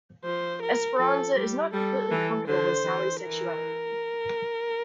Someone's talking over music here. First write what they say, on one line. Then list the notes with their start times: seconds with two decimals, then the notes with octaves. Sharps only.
Esperanza is not completely comfortable with Sally's sexuality.
0.24 F3 C5
0.62 A#4
0.99 F3 A4
1.36 G3 G4
1.73 G3 A4
2.11 E3
2.47 D3 C5
2.85 E3
3.21 E3 A#4